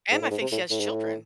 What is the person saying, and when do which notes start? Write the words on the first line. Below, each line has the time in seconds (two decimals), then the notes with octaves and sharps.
And I think she has children.
0.12 G#2
0.21 A2
0.31 G#2
0.41 C3
0.52 A2
0.70 A2
0.80 G#2
0.91 A2